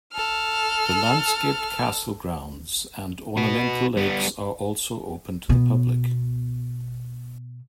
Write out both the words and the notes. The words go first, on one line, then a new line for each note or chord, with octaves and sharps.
The landscaped castle grounds and ornamental lakes are also open to the public.
A4 F6
F#4 B4
G3 B3
B2 B3